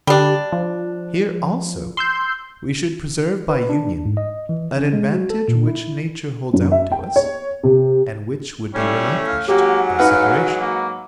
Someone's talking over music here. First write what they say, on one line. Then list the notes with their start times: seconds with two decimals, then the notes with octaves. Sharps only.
Here also we should preserve by Union, an advantage which nature holds out to us, and which would be relinquished by separation.
0.07 D3 G3 D4 G4
0.52 F3
1.97 C6 E6 G6
3.50 B4
3.69 D4
4.05 G#2
4.17 D#5
4.49 E3
4.78 C#4
4.93 G#3
5.13 F#4
5.30 A4
5.48 A#2
5.67 E4
6.53 F#2
6.72 E5
6.92 G5
7.16 C#5
7.63 C3
8.75 A2 G3 A3 C#4
9.27 F5
9.48 G#2 F#3 A#3 G4
9.99 D#4 B4 F5 F#5
10.59 A#3